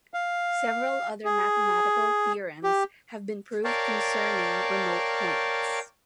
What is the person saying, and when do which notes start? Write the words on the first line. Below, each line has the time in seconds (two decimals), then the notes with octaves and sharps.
Several other mathematical theorems have been proved concerning remote points.
0.14 F5
1.25 G#4
2.64 G4
3.64 A#4 C#5 D5 F5 G5 A5